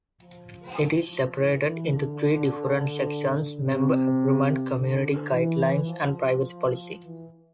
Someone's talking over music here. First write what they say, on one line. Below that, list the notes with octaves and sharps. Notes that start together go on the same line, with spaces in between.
It is separated into three different sections: "Member Agreement", "Community Guidelines" and "Privacy Policy".
F3
E3
E3
D3
D3
C3
D3
E3
F3
E3